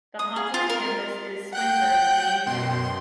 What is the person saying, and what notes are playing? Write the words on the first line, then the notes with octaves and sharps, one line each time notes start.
The Hawthorn campus is Swinburne's main campus.
D#6
G#4
F4
A#4
F#5 G5 F#6 G6
F#2 B2 C6